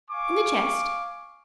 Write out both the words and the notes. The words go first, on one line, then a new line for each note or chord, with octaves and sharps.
"In the chest."
F5 G#5 C#6 D6